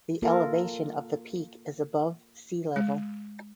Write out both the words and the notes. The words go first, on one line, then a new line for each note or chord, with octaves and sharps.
The elevation of the peak is above sea level.
A#3 F4 A4 A#4
G#3